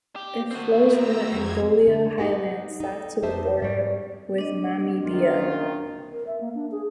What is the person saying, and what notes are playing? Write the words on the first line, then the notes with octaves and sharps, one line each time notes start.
It flows from the Angola highlands south to the border with Namibia.
G4
C4 F#4
A#5 E6
F2 G#6
D3
D#4 G4 B4 F#5
D#4 A4
F2 D#4 G4 C5 E5 A5
G#2 G3 C#5
D4 D#5
F#1 D#3 F4
A#4
E5
A#3
D4
G#4